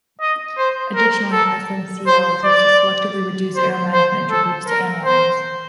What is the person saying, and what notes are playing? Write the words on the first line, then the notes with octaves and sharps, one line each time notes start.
Additionally, SnCl is used to selectively reduce aromatic nitro groups to anilines.
D#5
C5
A#4
A4
C5
D5
C5
C5
A4
A#4
C5